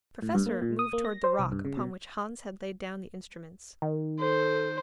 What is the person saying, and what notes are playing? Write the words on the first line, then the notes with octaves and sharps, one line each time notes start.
The Professor moved towards the rock upon which Hans had laid down the instruments.
A2
G2
A#3
A#2
D#6
A#3
A#6
C5
C2
G2
C#3
B2
D#3
A4 C5